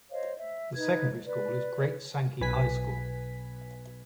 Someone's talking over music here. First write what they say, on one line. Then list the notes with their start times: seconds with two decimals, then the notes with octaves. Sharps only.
The secondary school is Great Sankey High School.
0.11 C5 C#5 D#5 F5
0.37 E5
0.74 D#4 B4 G#6
1.25 B4 D5
2.41 B1 B4 G#5 B6